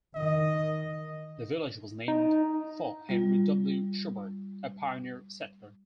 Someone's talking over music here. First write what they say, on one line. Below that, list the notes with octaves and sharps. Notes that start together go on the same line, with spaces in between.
The village was named for Henry W. Shubert, a pioneer settler.
D#3 D#5
D#4
G3 F4